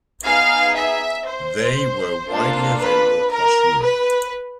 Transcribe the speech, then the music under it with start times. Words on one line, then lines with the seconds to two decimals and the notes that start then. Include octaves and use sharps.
They were widely available across Europe.
0.24 B3 D#4 G#4 F5
0.75 E5
1.27 C5
2.30 A#3 D4 F4 A4
2.80 B4
3.33 A#4
3.83 B4